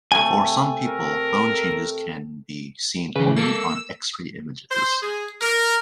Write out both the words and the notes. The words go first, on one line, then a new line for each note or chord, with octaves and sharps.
For some people, bone changes can be seen only on X-ray images.
C3 A3 G#5
A#4
C#3 E3 B4
A#3 A4 A#4 E6
C5
G#4
A#4